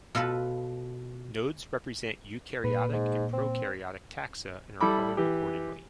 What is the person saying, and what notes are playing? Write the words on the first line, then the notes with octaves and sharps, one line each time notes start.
Nodes represent eukaryotic and prokaryotic taxa and are colored accordingly.
B2 F4 A4 B4
A#2 B4
G#2
C4
G3 E4 A4 B5 D6
E3 G4